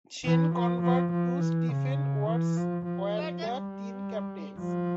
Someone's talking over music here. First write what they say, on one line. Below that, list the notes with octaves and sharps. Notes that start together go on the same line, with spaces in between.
Sean Conover and Stephen Watts were the team captains.
E3
F3
F3
F3
E3
C#3
E3
F3
F3
G3
F3